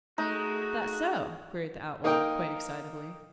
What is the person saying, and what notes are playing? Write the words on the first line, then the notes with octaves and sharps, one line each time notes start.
"That so?" queried the outlaw, quite excitably.
G#3 A3 D#4 F#4
A#3 D#4 A#4 D#5 G5